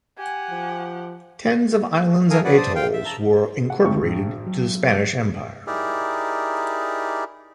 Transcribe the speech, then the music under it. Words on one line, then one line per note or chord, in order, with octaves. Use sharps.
Tens of islands and atolls were incorporated to the Spanish Empire.
G4 F#5 G#5
F3
A4 A#4 F5 G#5 D#6
C#4 F#4 G#4 B4 D5 F#5
C5 D5 A5 D#6
F5 G5
E5
A5 A#5 E6
F#5
G#1 D3 G#3 A3 C#6
A2 D4
F#3
D#4 E4 G4 G#4 A#4 D5